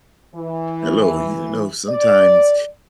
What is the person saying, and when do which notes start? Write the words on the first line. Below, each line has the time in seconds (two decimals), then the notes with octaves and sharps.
Hello, you know, sometimes,
0.34 E3
1.88 D5